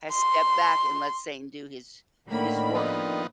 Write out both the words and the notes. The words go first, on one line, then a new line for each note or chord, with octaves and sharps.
has stepped back and let Satan do his his work,
C6
A2 D3 D#3 A#3 B5
F3 B3 D#4